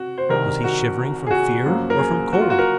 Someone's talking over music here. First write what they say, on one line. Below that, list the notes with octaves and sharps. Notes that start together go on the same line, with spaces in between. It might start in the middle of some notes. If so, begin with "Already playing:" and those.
Was he shivering from fear or from cold?
Already playing: C3 F#4
C5
C2 C3 D#3 A#4
F#4
G#4
F#4
F#2 F3 A#3
A#4
G#4
F#4
F4
F#4
A#4